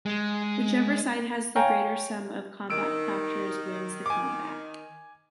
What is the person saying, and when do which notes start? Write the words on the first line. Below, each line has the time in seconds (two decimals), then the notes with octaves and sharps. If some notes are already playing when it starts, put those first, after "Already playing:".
Whichever side has the greater sum of combat factors wins the combat.
0.06 G#3
1.55 C#5 F5 G5 G#5 A#5
2.70 D#3 E6 D7
4.06 G#5 D6